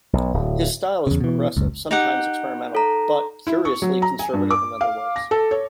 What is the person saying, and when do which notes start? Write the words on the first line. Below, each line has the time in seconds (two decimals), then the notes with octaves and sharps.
His style is progressive, sometimes experimental, but curiously conservative in other ways.
0.13 B1
0.34 D1
1.07 E2 C#3
1.20 B2 E3
1.57 F#1 C#2
1.91 D#4 G4 F#5
2.75 A4 A#5
3.47 E4
3.65 C#6
3.82 F#3
4.02 A#5
4.19 G#5
4.34 G2
4.51 D6
4.81 F5
5.16 A#6
5.31 A4
5.51 C#5